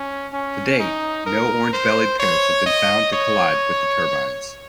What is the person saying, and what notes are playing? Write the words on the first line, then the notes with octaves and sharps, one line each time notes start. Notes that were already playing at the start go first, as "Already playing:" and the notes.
To date no orange-bellied parrots have been found to collide with the turbines.
Already playing: C#4
C#4
D#4
A#4
C5
C#5
D#5
C#5